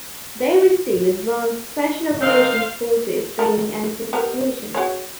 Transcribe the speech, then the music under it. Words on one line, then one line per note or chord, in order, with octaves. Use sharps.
They receive advanced special operations forces training and certification.
D#3 G#3 C4 C5 F5
A4 A#4
B3 G4 A#4
F#4 G#4 C#5